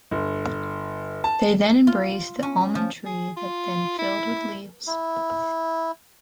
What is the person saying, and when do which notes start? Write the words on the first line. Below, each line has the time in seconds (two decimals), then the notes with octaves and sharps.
Then they embraced the almond tree that then filled with leaves.
0.11 G1
1.24 A5
1.87 F4
2.43 C#4
2.75 F3
3.06 G#4
3.36 F4
3.99 E4
4.87 E4